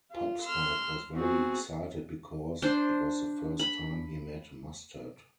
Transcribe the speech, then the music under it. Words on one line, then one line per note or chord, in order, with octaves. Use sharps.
Pop Smoke was very excited because it was the first time he met Mustard.
F4
C6 E6 F6
B3 C4 F#4 G#4
D4 C5
B5